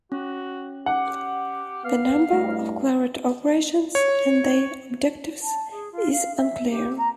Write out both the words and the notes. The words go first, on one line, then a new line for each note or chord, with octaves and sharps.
The number of Claret operations and their objectives is unclear.
C#4 F#4
G4 F#5
B3 F5
G2 A3 E4
C#5
A5
G#4
F4
F5
E5
G4
A#5